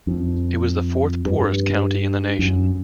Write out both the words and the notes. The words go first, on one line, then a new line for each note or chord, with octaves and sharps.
It was the fourth-poorest county in the nation.
F2
G2
F#2